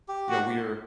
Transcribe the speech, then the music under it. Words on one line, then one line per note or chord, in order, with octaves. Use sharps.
you know, we're
G4
F#4